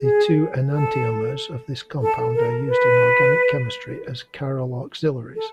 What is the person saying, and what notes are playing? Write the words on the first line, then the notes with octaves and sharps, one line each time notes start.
The two enantiomers of this compound are used in organic chemistry as chiral auxiliaries.
G#4
A4
A4
A#4
B4
A4